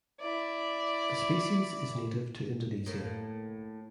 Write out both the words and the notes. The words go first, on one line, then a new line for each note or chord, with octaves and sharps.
The species is native to Indonesia.
E4 D5
A2 A#3